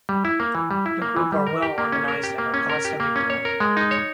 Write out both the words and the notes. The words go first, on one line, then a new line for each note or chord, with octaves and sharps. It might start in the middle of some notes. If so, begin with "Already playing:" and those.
The group are well organized and are constantly growing.
G3
E4
A#3
E3
G3
E4
A#3
E3
G3
A#4
G4
A#3
C#4
A#4
G4
A#3
C#4
A#4
G4
A#3
C#4
C#5
A#4
G#3
D#4
C#5